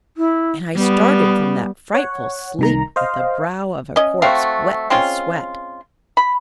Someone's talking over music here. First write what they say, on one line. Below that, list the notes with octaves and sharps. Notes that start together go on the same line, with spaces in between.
And I started from that frightful sleep with the brow of a corpse, wet with sweat....
E4
G3 B3
C#5 F#5
C2 D#3 A#5
C5 D#5 F5
C#4 D#5
A3 C4 F#4 F5
G#3 C4 C#4 F4
B5